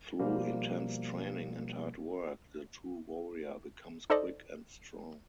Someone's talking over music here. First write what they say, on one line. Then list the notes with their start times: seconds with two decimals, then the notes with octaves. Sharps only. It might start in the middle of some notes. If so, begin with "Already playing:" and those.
Through intense training and hard work the true warrior becomes quick and strong.
0.19 B2 F3 G3 A#3
4.10 D#4 A4 C5 D5 D#5